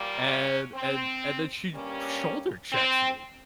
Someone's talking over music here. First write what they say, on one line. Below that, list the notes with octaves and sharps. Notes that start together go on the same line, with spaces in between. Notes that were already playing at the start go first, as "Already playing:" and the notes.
And and and then she shoulder checks me.
Already playing: A#2 G3 A#3
C#4
C4
G2 G3 A#3 C#4
C4